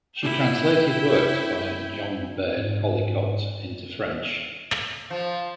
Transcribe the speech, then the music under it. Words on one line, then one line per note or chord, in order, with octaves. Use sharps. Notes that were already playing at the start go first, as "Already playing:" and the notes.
She translated works by John Baird Callicott into French.
E4 G5
G#2
F3